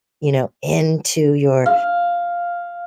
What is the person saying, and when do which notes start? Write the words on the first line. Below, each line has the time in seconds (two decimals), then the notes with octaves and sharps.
you know, into your
1.66 F5